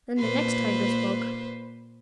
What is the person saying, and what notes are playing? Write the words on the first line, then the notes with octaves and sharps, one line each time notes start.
Then the next tiger spoke.
A#2 B4 C5